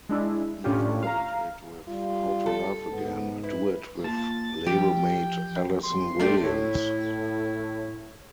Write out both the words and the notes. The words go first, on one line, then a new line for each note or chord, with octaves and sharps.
He followed it with "How to Love Again," a duet with labelmate Alyson Williams.
G#3 D4 E4
A2 C#4 D4 F4 G4
F5 A#5
G3 F4
A4
G#2 B3
E4 B4
A#3 F4 A5 A6
F3 G4 G5
C6
A3 D4 G4
A2 E4